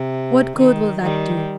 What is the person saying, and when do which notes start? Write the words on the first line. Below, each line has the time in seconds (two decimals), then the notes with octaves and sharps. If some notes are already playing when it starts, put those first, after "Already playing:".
"What good will that do?"
Already playing: C3
0.57 D#3
1.01 D#3 G3